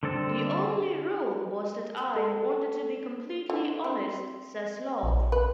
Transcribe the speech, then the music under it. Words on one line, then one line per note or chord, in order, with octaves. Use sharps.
"The only rule was that I wanted to be completely honest," says Love.
D3 G3 C4 A4 E6
A4
D3
C4
A#1
B4